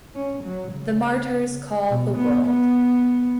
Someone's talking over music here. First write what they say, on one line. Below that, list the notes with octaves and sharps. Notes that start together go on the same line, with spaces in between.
The martyrs call the world.
C#4
F#3
C#3
B2
B3
B3